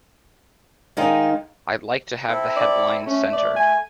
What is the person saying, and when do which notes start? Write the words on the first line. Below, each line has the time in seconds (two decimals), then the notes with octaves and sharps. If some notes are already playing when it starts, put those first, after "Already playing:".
I'd like to have the headline centred.
0.97 D#3 G#3 D#4 D#5 F5 G5
2.28 C4 E4 A4
2.57 D5
3.06 A3 C#4
3.33 D5
3.56 G#5